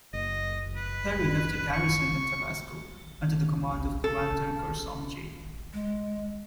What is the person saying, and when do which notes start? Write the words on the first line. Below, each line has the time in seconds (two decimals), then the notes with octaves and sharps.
Perry left a garrison in Tabasco, under the command of Commander Gershom J.
0.13 F#1 D#5
0.76 B4
1.73 C#6
4.04 A4
5.73 G#3